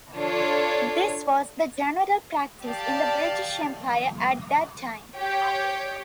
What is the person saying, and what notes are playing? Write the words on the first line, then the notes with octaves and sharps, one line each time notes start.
This was the general practice in the British Empire at that time.
D4 F4 A4 C#5
G4 D5 F5 A5
G4 C#5 G5